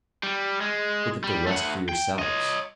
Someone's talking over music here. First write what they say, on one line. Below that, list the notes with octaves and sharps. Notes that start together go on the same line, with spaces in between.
Look at the rest for yourselves.
G3
G#3
G3
A3 F#5
G5
C#5 D#5